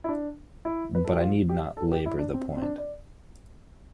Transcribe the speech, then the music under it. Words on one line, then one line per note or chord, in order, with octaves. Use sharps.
But I need not labour the point.
E4
D4
E4
B4
A4
G4
F4
G4
A4
G4
E4
D4
C4
C4
D4
D5